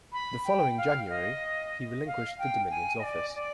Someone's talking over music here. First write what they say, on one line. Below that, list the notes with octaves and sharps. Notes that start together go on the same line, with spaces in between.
The following January, he relinquished the Dominions Office.
B5
G5
F5
D#5
F5
G5
G#5
D#5
D5
D5